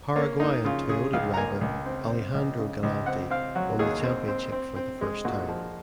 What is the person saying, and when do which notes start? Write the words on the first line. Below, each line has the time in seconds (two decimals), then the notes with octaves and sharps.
Paraguayan Toyota driver Alejandro Galanti won the championship for the first time.
0.16 A#3 C#4
0.40 A#3 D#4
0.65 C#3 F4
0.89 C#3 G#4
1.13 C#2 F5
1.34 A#5
1.37 A#3 G#5
1.61 C#2
1.86 C4
2.10 C4
2.34 C#2
2.59 C#3
2.83 C#2
3.06 C4 F#5
3.30 C4 F5
3.55 F#3 F#4
3.79 D#2 G#4
4.04 C4
4.28 C4
4.52 C4
4.76 C4
5.01 G#3
5.25 A#2 F#4
5.49 F3